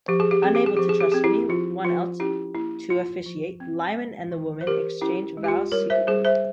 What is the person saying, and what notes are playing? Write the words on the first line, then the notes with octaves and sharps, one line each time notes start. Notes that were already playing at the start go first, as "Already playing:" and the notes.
Unable to trust anyone else to officiate, Lyman and the woman exchanged vows secretly.
F3 G4
G#4
G4
C4 G#4
G4
G#4
F3 G4
G#4
G4
C4 G#4
E4 G4
F3 F4
F3 F4
C#4 E4 G4
A#3 E4
F3 F4
F3
C4
G#3
E3
C5
E3 G4 A#4
C#4 E4 G4
G#3
G4
F4
G3 A#4 C#5
C5 E5
G3 G#4 C5
C5 E5